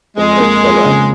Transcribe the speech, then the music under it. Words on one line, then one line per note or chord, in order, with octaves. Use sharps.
Alright, bye-bye.
F2 G#3
A#3
F3
C#3